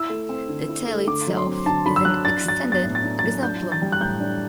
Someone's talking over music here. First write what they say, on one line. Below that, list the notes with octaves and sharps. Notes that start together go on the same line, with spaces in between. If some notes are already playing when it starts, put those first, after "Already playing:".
The tale itself is an extended exemplum.
Already playing: E4 E6
A3
C4
D3
E4
A3
D3 D6
F#3
C6
C4
D3 A5
D3 B5
E6
F#3 F#6
D4 A6
F#3 A6
B3
A6
A2
A6
D4
A6
F#3
D4 G6
E3
A6
G3
F#6
A2 G6
D4